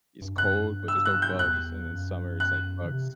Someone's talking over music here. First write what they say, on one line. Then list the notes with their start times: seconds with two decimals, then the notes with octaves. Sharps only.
is cold, but there's no bugs, and then summer is like bugs.
0.22 G2
0.37 G2 F#6
0.50 F#2
0.61 G2
0.88 E6
1.06 F#6
1.22 G6
1.39 E2 F#6
1.90 F#2
2.40 F#6
2.84 D#3
2.90 C3